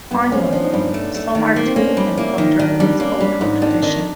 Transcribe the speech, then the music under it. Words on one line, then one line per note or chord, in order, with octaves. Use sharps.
Finally, some are taken from Germany's cultural tradition.
G2 B3
F3 C#4
F3 D4
D#4
G2 D4
A3
A3
D#3
A#3
C4
A#3 C#4
D4
G3 D#4
A#3 E4
D#3 D#4
D#3 D4
G3 D4
A#3 C#4
G3 D4
G#2 D#4
D#3 D4
D#3 D4